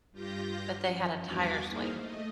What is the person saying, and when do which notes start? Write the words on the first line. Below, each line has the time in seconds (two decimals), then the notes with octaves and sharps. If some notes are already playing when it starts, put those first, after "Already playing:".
But they had a tire swing,
0.12 G2 F4 G4 G6 A#6
0.81 F#2 F3
1.22 E2 G2 F#4 G#5 D6
1.68 A#3 D#4 E4 G#4 C5 F5
1.97 A3 D#5